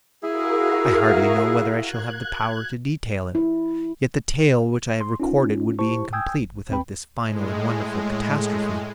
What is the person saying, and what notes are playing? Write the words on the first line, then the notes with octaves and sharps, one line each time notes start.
I hardly know whether I shall have the power to detail it; yet the tale which I have recorded would be incomplete without this final and wonderful catastrophe.
E4 F#4 G#4 A#4 F5
F#6 G#6
E4
C6
C#4 D#4 F4
E4 G4 C5 A5 C#6
G5 G#5 D#6 E6 G6 G#6
A1
A#1 D#2 C4 B4 G5 B5
A2 G#3